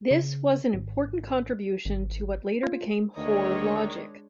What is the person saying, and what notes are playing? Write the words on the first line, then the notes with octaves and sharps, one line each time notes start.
This was an important contribution to what later became Hoare logic.
C#3
G#1
G#1
F4
D2 D#3 G#3 D4 C#5 D#5